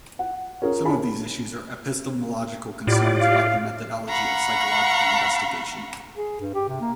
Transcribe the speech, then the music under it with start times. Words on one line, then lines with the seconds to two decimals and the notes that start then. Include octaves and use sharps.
Some of these issues are epistemological concerns about the methodology of psychological investigation.
0.19 F#5
0.62 C#4 F4 G#4 A#4 C#5
0.85 E4 F4 G#4 G#5 A5 B5
2.87 A2 F4 G4 D5
3.20 F5
4.07 F5 F#5 A#5 B5 C#6
6.17 G#4
6.40 G2
6.54 G4
6.69 C3
6.81 A#3